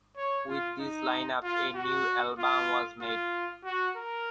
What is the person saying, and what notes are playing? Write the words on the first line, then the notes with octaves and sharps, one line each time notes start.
With this lineup, a new album was made.
C#5
F4
D#4
F4
F#4
F4
F4
F#4
A#4